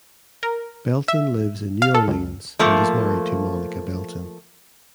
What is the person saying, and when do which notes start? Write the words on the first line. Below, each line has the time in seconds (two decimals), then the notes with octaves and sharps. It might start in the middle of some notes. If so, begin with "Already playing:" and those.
Belton lives in New Orleans and is married to Monica Belton.
0.43 A#4
1.08 E5
1.82 F5
1.95 A4
2.08 C#2
2.59 F3 A3 A#3